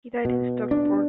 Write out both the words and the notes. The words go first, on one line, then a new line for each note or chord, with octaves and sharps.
He died in Stockport.
B2
D4